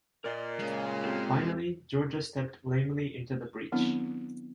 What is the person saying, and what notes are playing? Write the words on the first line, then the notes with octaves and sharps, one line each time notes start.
Finally Georgia stepped lamely into the breach.
A#2 A#4 D5 D#5
C#3 G#3
C4 G4 A4
D#3 F#3 B3 C4 D4 E4